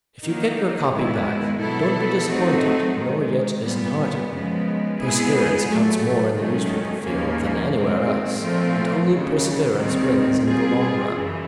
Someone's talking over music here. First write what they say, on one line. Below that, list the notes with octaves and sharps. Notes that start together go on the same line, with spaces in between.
If you get your copy back don't be disappointed nor yet disheartened. Perseverance counts more in the newspaper field than anywhere else, and only perseverance wins in the long run.
D#3 F#3 A#3 D#4
G#2 D#3 G#3 B3 E4
B2 F#3 B3 E4 A4
F#3 A3 C4 D#4 F#4
G#2 D#3 G#3
A#2 G3 B3
F#2 C#3 F3 G#3 B3
G#3 B3 E4 G#4
A2 F#3 A3
G#2 D#3 F#3 A3 C#4
D#2 C#3 F3 A#3 C#4
G#2 D#3 G#3 C4
A#2 F3 A3 C4 F4
D#2 C#3 F#3
D#2 D#3 G3 C4
G3 C4 F4 G#4
F#2 C#3 E3